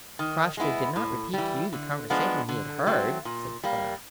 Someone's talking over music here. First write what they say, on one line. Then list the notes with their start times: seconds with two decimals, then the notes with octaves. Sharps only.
"Crossjay did not repeat to you the conversation he had heard?" said Clara.
0.19 D#3
0.57 G#3 B3 E4
0.96 A2
1.34 E3 G3
1.73 D3
2.10 F3 G#3 B3 D4
2.49 D3
2.87 F#3 A3 C4
3.25 A#2
3.64 G3 A#3